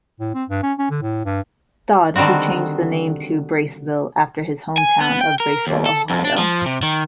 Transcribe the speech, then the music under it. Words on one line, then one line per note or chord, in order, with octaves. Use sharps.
Dowd, who changed the name to Braceville after his home town of Braceville, Ohio.
A2
C4
G2
C#4
C#4
D3
A2
G2
D3 D#3 G3 C4 F#4
G#5
B3
G5
A#4
D#2
A4
F2
D4
F3
C3
D#3